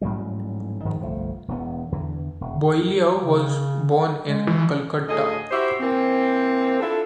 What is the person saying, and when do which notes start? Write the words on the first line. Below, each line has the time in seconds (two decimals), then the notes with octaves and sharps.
Boileau was born in Calcutta.
0.01 A1 G#2 F#3 G3
0.85 G#2 D#3 F3 G#3
1.00 G1 C2 F3 A3
1.48 E1 E2 B3
1.92 E2 D3 E3
2.41 E1
3.23 C#3
4.26 G#3
4.47 E3
5.08 D2 A2 G#4 A4 D#5
5.51 E4 F#4 G4 C5 E5
5.80 E3 A#3 C4
6.80 D4 E4 F4 A4